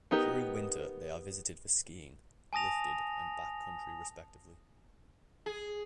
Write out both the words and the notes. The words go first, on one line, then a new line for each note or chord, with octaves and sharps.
During winter they are visited for skiing, lifted and back country respectively.
B3 D#4 G4 A#4
G#5 A5 D#6 A#6 F7
G#4